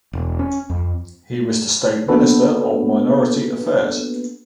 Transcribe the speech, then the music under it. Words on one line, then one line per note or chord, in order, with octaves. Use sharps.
He was the State Minister of Minority Affairs.
E1
C#4
F2
A#3 B3 D4 F#4 A4 B4